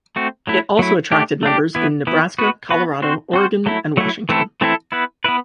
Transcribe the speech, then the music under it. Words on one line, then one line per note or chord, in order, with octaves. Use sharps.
It also attracted members in Nebraska, Colorado, Oregon and Washington.
A3 C4 F#4
F#3 A3 E4
F#3 A3 E4
A3 D4 G4
A3 D4 G4
E3 B3 E4
E3 B3 E4
B3 F#4 B4
B3 F#4 B4
C4 F#4 C5
C4 F#4 C5
F#3 A3 E4
F#3 A3 E4
E3 A3 C4 E4 A4
E3 A3 C4 E4 A4
B3 E4 B4
B3 E4 B4